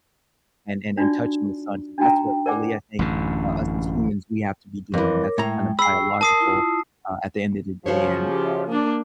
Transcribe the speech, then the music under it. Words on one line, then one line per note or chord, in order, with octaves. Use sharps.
and and and touching the sun 'cause that's what really, I think, uh, us as humans, we have to be doing, that's kind of biological, uh, at the end of the day, and, uh,
D4 D#4 F4 F#4 D5
D4 D#4 F#4 G5 A#5
A#4 C5 D5 F#5 G#5 D6
A1 F#2 D3
F2 E3 A#4 C#5 D6
A2 G#3 G5 A#5
G#4 G5 B5 C#6 E6 C7
A#4 A5 D#6 C7
E4 F4
C#3 F3 F#4 C5 C#5
G4
A#3 D4